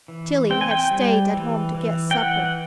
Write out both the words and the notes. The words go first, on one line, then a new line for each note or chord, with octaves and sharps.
Tillie had stayed at home to get supper.
E3
C4 G5
G#5
G5
G3
E3
E3
G5
E3 F#5